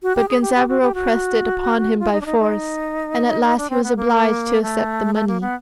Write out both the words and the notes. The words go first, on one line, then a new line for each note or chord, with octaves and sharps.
But Genzaburo pressed it upon him by force, and at last he was obliged to accept the money.
F#4
G4
G#4
G4
G4
F#4
G4
F#4
F4
D#4
D4
D#4
D#4
D4
C4
B3
A#3
A3
A3
A#3
B3